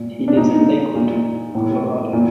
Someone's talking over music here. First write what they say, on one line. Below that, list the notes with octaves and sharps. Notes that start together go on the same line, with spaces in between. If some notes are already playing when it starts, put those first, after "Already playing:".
He lives in Lakewood, Colorado.
Already playing: A#2
D4
A#2 D#4
A#2
A2
A#2